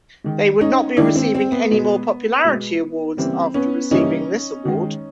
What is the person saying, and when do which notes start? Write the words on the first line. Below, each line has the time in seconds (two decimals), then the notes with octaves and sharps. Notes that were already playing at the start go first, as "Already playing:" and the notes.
They would not be receiving any more popularity awards after receiving this award.
0.24 D#3 G#3
0.61 C#4 D#4
0.97 D#3 G#3 D4 E4
1.16 C4
1.35 C4
1.52 B3
1.71 B2 G#3
2.44 B2 G#3
3.17 C#3 E3 G3 A#3 C4
3.54 B3 C#4
3.91 C#3 E3 G3 A#3 C#4 D#4
4.65 D#3 G#3